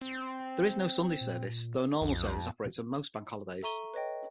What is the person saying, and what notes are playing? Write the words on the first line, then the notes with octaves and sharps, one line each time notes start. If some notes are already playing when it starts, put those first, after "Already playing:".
There is no Sunday service, though a normal service operates on most Bank Holidays.
C4
A#2
B1 F2
A4 E5 A#5 C#6 D#7 G7
B4 C#5 D#5 G5